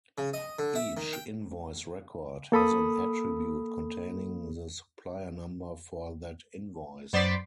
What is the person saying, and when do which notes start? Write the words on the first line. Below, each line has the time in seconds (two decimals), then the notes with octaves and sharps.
Each invoice record has an attribute containing the supplier number for that invoice.
0.18 C#3
0.33 D#5
0.59 D3
0.75 E5
0.97 D#3
1.13 G5
2.52 A#3 A4 B5 D#6
7.13 F#2 B3 C5 D5 B6